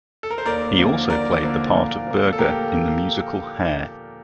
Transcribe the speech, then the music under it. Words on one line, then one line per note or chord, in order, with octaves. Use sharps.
He also played the part of Berger in the musical "Hair".
A4
A#4
C5
D#2 A#4 D5
D3 F3 A#3
D#2 A#4 D5
D3 F3 A#3
A#2
F3 A#3
A4
A#2 G4 A#4